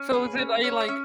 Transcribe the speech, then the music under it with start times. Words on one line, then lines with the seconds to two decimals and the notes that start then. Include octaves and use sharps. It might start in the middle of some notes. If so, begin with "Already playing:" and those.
So is it, like like,
Already playing: C#4
0.13 G#4 B4
0.38 C#4
0.63 C#4 C#5
0.80 E5
0.88 C#4